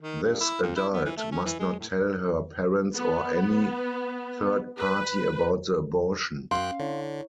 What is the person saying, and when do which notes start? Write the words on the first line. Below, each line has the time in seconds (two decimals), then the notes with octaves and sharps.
This adult must not tell her parents or any third party about the abortion.
0.02 D#3
0.23 G2
0.40 E4
0.62 F2
0.76 E4
0.93 B3
1.05 E3
1.17 A3
1.32 C#4
1.45 E3
1.59 G#3
1.80 A2
2.94 B3
4.77 B4
6.51 F#2 C#4 F5 G5 C6 F#6
6.80 D3 E4 C#5